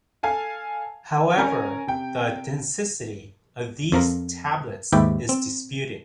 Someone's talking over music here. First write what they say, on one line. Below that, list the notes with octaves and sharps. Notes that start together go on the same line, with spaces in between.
However, the authenticity of these tablets is disputed.
A4 F5 G#5 A5
D#3
C#4 A#4 G#5 A#5
C3 G5
F2 F3 A#4
D#2 G#2 G4 B4 E5 G5
C4